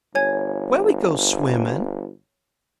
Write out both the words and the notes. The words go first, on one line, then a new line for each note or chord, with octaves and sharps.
"Where we go swimmin'?"
G1 C#5 G#5 G#6